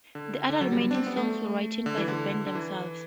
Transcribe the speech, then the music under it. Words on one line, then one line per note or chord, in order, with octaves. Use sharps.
The other remaining songs were written by the band themselves.
D3
D3
F#3
G3
D4
C4
B3
A3
D3
E3
D3
D3
E3